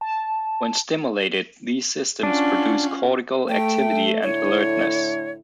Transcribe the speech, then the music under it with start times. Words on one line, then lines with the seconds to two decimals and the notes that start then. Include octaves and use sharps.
When stimulated, these systems produce cortical activity and alertness.
0.01 A5
2.23 C#4 D4 F4 F#4
3.49 A3 G5
4.23 A2 D3 E4 C#5